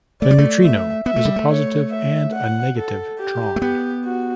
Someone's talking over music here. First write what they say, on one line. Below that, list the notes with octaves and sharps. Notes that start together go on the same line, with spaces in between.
The neutrino is a positive and a negative tron.
A3 D5
G3
A3
E5
B3 E5
A3
G3
A3
C#5
E5
F#5
A4
G4
A3
B3 G4
F#4